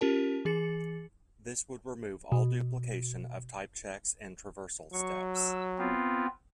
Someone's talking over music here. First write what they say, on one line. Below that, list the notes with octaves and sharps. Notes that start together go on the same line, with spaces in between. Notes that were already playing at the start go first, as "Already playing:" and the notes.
This would remove all duplication of type checks and traversal steps.
C#4 F4 G4 A#4 A5
E3 G#4 A6 C#7
B2
F#3 C#6
E6
B3 C4 F4